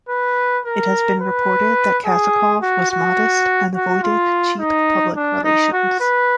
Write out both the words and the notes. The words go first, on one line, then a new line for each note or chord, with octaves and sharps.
It has been reported that Kazakov was modest and avoided cheap public relations.
B4
A#4
B4
G#4
F#4
F#4
F#4
F4
D#4
D4
D#4
F#4
B4